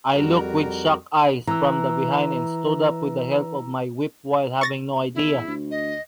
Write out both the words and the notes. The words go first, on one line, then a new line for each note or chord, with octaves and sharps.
I looked with shocked eyes from the behind and stood up with the help of my whip while having no idea.
F2 G3 F#4 A#4 A#5
E3 A#5 E6
C#6 A6 A#6
E2 E4
D2
D#5